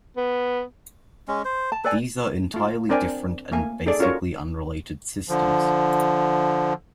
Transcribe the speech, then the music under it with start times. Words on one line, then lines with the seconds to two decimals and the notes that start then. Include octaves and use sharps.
These are entirely different and basically unrelated systems.
0.17 B3
1.28 G#3 C#4
1.45 C5
1.72 A5
1.84 A4 B4 D5 G#5
2.54 A3 F4
2.89 C4 D4 A#4 D5 G5 G#5
3.52 A3 A#3 G#5
3.86 D#4 G#4 A4 D5
3.99 C#4 F4 F#4 A#4 C#5
5.29 D3 F3